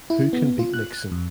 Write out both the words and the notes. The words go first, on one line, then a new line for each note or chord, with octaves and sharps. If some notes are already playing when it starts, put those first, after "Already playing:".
Who Can Beat Nixon?
E4
B3
F4
F#6
F2